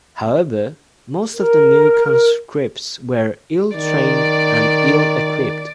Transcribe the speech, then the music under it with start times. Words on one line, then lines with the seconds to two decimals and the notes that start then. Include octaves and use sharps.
However, most the new conscripts were "ill-trained and ill-equipped".
1.34 A#4
3.75 D#3 D5